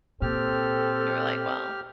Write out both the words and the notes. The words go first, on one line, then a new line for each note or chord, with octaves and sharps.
we were like, "Well,
A#2 C4 G4 A4 F6